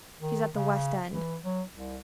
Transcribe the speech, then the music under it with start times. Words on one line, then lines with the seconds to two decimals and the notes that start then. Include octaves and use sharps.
She's at the West End.
0.20 D#3
0.54 C#3
1.12 E3
1.45 F#3
1.72 C2